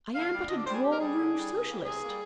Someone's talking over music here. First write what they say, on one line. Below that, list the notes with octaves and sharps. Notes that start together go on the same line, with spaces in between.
I am but a drawing-room Socialist.
D3 F5
G3 D4
D3 D#5
D5
G3 D4 C5
G#4
D3 G4
A#4
G3 D4 G#4
D3
G3 D4
C3
G3 A#3
C3 G#4
G3 A#3